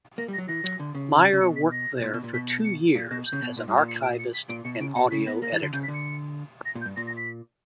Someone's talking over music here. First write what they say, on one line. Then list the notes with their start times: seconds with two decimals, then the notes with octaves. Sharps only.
Mayer worked there for two years as an archivist and audio editor.
0.18 A#3 A#6
0.28 G3
0.34 A#6
0.38 F#3
0.48 E3 A#6
0.64 F#3
0.80 D3
0.95 C#3
1.33 C#3
1.41 B2 C#7
1.56 B6
1.72 A#6
2.03 A#2
2.14 B2
2.23 A#2
2.34 B2 B6
2.50 C#7
2.65 C#7
2.95 A#2 B6
3.11 B2 A#6
3.26 G6
3.33 C#3
3.42 B2
3.57 A#2
3.68 G2
3.77 A#2
3.89 C#7
4.03 D7
4.19 C#7
4.34 B6
4.49 A#2 D7
4.65 B2 C#7
4.80 C#3 D7
4.96 B2 C#7
5.11 C#3 B6
5.26 B3 A#6
5.42 A#3 A#6
5.52 E3
5.63 D3
5.73 C#3 G6
5.84 B6
5.88 D3
5.94 C#7
6.65 A#6
6.75 A#2
6.81 G6
6.86 G2
6.97 A#2 A#6
7.07 A#6
7.17 B6